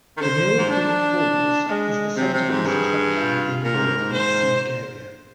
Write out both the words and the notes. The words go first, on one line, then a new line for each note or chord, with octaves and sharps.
The Mill Creek Falls is the centerpiece attraction within the Mill Creek Scenic Area.
D#3
D3 C5
D3
G#2
D4
G#3
C3 C4
C3
G#2
G2 G#4
F4
A#2 A#4
G#2
G2
G#2
C5